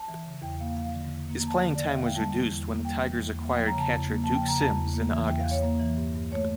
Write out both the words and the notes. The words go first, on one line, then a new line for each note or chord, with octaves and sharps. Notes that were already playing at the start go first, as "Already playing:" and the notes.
His playing time was reduced when the Tigers acquired catcher Duke Sims in August.
Already playing: A5
E3
C#3
E2 G5
A#3 F5
F3 F5
D3
E2
A#3
A#5
F3 A5
D3
D5
E2
E5
A#3 F5
G5
G3 A5
E3
E2
A#3
G3 G5
E3
E2
A#3
F3 G5
A#5
C#3
A5
E2
A#3
F3 A5
G5
C#3
A#5
E2 A5
E2
A#3
E3
E2 G5
F5
E2
C#5
A#3
E3
G2
G2
A3 C#5